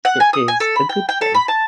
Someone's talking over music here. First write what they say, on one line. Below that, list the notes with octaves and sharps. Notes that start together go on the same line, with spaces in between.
It is a good thing.
F#5
G#5
D#6
G#5
A4
B5
G5
G5
A4
B5
A5